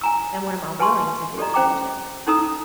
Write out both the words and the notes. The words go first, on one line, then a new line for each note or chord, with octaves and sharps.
and what am I willing to do to change it?
G#5 A#5 E6
B4 G#5 A5 C6 C#6
G4 A4 D5 D#5 A#5
C#4 C5 G5 A#5 D6
C#4 D#4 A4 A#5 D#6 E6